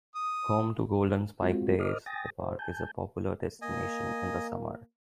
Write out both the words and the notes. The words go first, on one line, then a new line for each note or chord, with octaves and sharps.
Home to Golden Spike Days, the park is a popular destination in the summer.
D#6
G#3 C4 F4 F#4
A#4 C5 D#5 D6 D#6 F6
G5 G#5 D#6 A6 A#6
C5
G#5 A5 G6
A#3 D#5 G#5